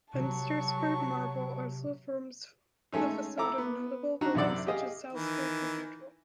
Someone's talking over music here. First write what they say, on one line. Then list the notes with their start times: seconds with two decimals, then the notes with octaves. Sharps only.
Untersberg marble also forms the facade of notable buildings such as Salzburg Cathedral.
0.14 C3 F#3 A5 C#6
2.92 G#3 A3 C#4 D#4
3.38 E4 A4 A#5 D6
3.58 B3
4.21 D4 D#4 F#4 A#5
4.35 F#2 C3 E4 D5 F#5
4.67 G4 G#4 D#5 F5
5.13 D#3 E3